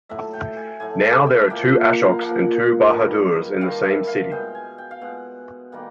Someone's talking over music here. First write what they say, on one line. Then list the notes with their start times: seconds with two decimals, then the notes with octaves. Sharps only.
Now there are two Ashoks and two Bahadurs in the same city.
0.09 A2 F#3 A3 E5
0.33 G5
0.57 G#5
0.80 A2 F#3 A3 G#5
1.04 G5
1.27 G5
1.50 A#2 F3 A#3 G5
1.68 D#5
1.86 D#5
2.03 F5
2.21 A#2 F3 A#3 F#5
2.91 G2 D#3 G3
3.61 G2 D#3 G3 F5
3.85 E5
4.07 F5
4.32 B2 G#3 G5
4.55 G#5
4.78 G5
4.91 F5
5.01 B2 G#3 F#5
5.72 D#3 G3 A#3 F#5